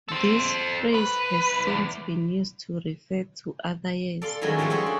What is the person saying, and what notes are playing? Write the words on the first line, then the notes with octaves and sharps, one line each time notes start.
This phrase has since been used to refer to other years.
A4 C5
B1 B4
E2
A4 D5 F5 C6
D#3 F#3 G#3 A3 C#4 E4
F3 G3 G#3 C5 C#5
F#4 G#4 A4 C5 C#5
D4